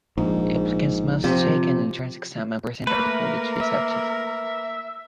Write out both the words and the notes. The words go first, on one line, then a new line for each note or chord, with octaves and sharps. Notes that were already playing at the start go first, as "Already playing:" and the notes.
Applicants must take an entrance exam and present a portfolio to be accepted.
A#1 G#2
C3 F3
A3 A#3 A#4 B4
E5